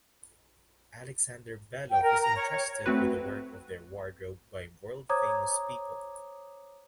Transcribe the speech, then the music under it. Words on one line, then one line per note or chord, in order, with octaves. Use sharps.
Alexander Belov is entrusted with the work of their wardrobe by world famous people.
G5
A#4
A#5
C#5
C#5
A3 C4 F#4 B4
C5 C#5 A#5 D6 D#6 G#6